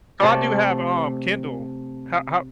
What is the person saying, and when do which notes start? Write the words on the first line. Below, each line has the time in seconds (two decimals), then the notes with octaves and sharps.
Oh, I do have, um, Kindle. How how
0.20 C3 A3 D5